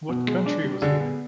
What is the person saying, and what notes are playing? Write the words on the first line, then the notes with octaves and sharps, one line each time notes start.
What country was he in?
B2
G#3
D4
G3
D3 G#4
B3